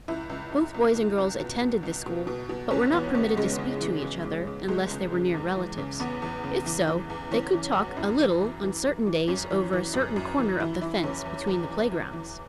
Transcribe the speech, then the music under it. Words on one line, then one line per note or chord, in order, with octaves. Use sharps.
Both boys and girls attended this school, but were not permitted to speak to each other unless they were near relatives; if so, they could talk a little on certain days over a certain corner of the fence, between the playgrounds!
C#2 E4
C#2
C#2
C#2
C#2
C#2
B2
B2
C#2
B2
B2
B2
C#2 C#4
E3 B3
C#2 C#4
C#3 G#3
C#3
E3
C#3
E3
C#3
C#2 G#3
C#2
C#3
E2
E3
C#3
E2 B3
E2
C#3
E3
E3
E2
E3 C#4
E3
E2 F#4
F#2 E4
E3
E3
E3
E3
E3
F#2 C#4
E3
E3
F#2
F#2
E3
E3 E4
E3 E4
E2 C#4
E2
E2
E3
E3
E3